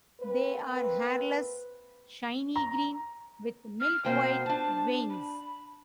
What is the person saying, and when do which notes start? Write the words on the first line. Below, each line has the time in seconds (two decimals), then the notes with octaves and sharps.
They are hairless, shiny green, with milk-white veins.
0.21 A#3 C4 B4
2.56 A#5
3.80 F6
4.05 B2 A#3 C5 G5
4.46 D4 A5
5.10 B5